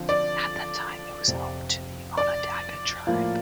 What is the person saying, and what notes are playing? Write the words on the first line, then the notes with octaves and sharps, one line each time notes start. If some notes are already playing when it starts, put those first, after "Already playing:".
At that time it was home to the Onondaga tribe.
Already playing: D3 F3 C4 F4
D5
F2 C3 F3
D5
A2 F3 A#3 F4